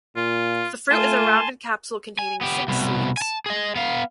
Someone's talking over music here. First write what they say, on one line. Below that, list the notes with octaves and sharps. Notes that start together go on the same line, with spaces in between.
The fruit is a rounded capsule containing six seeds.
A#2 F4
A3 F4 G#5 A5 C6
G#5
B3 G4
C2 B2
G#5 A5
G#4 D#5
B3 F5